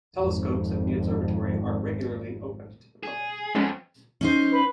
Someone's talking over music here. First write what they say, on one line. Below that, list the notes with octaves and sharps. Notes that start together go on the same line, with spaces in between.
Telescopes at the observatory are regularly opened to the public.
G#1 F2
G#4
F2 G#3 B3 C#4
C#4 D#4 C5
B4